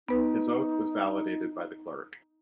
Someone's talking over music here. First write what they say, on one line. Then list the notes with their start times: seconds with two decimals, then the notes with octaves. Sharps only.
His oath was validated by the clerk.
0.08 B3 D#4 B4